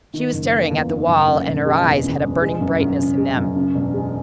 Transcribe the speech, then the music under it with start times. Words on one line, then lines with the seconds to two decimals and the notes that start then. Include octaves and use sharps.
She was staring at the wall, and her eyes had a burning brightness in them.
0.14 D#3
0.33 F#1
0.52 A#3
0.70 E2
0.89 D#3
1.08 F#1
1.27 C#3
1.47 E1
1.66 G#3
1.84 E2
2.04 C#3
2.23 E1
2.42 G#3
2.61 F#2
2.80 F#2
2.99 C#3
3.17 G#3
3.37 F#2
3.56 C#3
3.75 E1
3.94 G#3